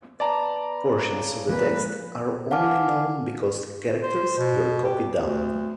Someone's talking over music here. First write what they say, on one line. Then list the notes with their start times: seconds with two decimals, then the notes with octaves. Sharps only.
Portions of the text are only known because characters were copied down.
0.20 B3 D5 A5 A#5
1.11 C#3
1.49 A#2 F3 G#3 A#3 B4
2.51 F5 F#5 G#5 A5 D6 F6
4.03 C5
4.37 B2
4.84 G4
5.20 D2